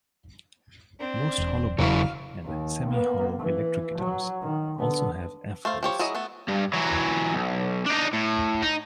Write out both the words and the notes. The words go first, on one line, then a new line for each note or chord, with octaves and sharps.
Most hollowbody and semi-hollow electric guitars also have F-holes.
C4 D4
E1
E1 C#3 F#3 E4 F5
D#2
A#3 B3
E3
F#3
D#3
D3 B3
A3 C5 F5
F3 G4 C#5
F#3 E4 G#4 D#5
A3 B3
G2
E3 F#3
B1
D4 D#4
A2
D#4